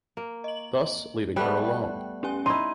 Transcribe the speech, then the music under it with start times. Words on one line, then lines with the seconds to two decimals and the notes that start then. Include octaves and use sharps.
Thus leaving her alone.
0.17 A#3
0.44 D#5 F#7
1.36 G3 A3 B3 D5 G5 F#6
2.23 C#4 G4 G#5
2.46 D#4 E4 C6 D#7